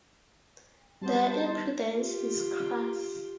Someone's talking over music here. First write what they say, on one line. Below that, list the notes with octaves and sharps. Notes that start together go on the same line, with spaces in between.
Their impudence is crass.
G3 B3 C5 A5
F4 G4